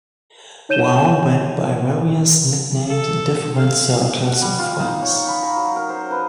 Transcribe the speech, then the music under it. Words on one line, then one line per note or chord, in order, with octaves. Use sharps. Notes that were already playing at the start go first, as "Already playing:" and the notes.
Brown went by various nicknames in different circles of friends.
D#4 C#5 G6 D#7 E7 G7
A4
F5
F#5
G3
F4
D#4
C#5
B5
A#5
F#3
A#4
C5
B4